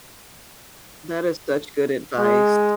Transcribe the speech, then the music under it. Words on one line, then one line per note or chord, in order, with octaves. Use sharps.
That is such good advice.
G#3